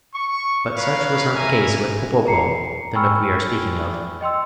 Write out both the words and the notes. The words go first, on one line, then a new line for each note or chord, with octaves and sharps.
But such was not the case with Popopo, the knook we are speaking of.
C#6
A#4 B4 C#5 F5
E4 E5 G#5 A#5
G#4 A#5 C7 C#7
G5 G#5 B5 C#6 E6 F6
D#5 G5 C6 E6